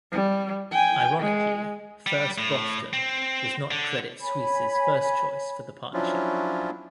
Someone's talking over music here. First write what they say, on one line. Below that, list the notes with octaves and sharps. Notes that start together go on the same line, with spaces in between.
Ironically, First Boston was not Credit Suisse's first choice for the partnership.
G3
G5 G#5
G#3
G3
A2
C4
D3
C#5 G#5 B5
F3 F#3 C#4 D4 E4 F4